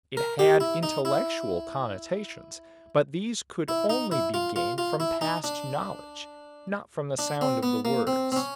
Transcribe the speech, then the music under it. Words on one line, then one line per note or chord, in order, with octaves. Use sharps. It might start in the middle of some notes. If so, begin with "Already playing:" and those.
It had intellectual connotations, but these could only be gained from past knowledge, not from the sound of the words.
A#4
G4
E4
D#4
E4
E4
D#4
E4
F4
F4
F4
E4
D#4
D4
D4
C4
B3
A#3
C4
C4
C#4